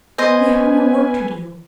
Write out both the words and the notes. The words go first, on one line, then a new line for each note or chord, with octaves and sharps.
We have no work to do.
B3 B4 C5 D#5 G#5